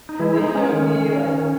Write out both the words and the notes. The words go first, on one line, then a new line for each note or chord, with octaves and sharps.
they showed me, like,
D#4
E3 G#3 E4
D#4
G#3
C#4
D#3 C#4
D#3
D#3